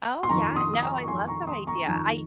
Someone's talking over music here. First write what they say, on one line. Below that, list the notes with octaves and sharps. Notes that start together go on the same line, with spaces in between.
Oh, yeah, no, I love that idea. I
C6
F2 D#3 A#5 C#6
C6 D#6
D#6
A#5 C#6
C#6
F2 D#3 G#5 C6
A#5 C#6
C6 D#6
A#5 C#6
F2 D#3